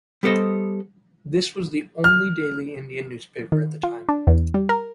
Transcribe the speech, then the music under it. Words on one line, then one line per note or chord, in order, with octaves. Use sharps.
This was the only daily Indian newspaper at the time.
G3 B3 G4 A4 C5 D#5
F6
D#3
F4
D4
E2
G3
A#4